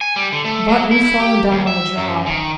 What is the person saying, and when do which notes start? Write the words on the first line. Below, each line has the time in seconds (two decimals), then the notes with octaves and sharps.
But we've fallen down on the job.
0.01 G#5
0.16 G3
0.32 D3
0.45 A3
0.69 F#3
0.91 E4
1.03 E4
1.20 G4
1.51 D#2
1.67 E5
1.97 F#2
2.26 D#3